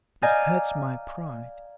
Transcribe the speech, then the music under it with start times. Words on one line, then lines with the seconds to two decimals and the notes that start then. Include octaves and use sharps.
It hurts my pride.
0.22 D5 D#5 F5 G#5 A#5 G6